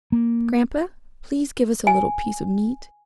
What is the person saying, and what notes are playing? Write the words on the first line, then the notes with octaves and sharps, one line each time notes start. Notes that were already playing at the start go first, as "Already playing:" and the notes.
"Grandpa, please give us a little piece of meat."
A#3
G#5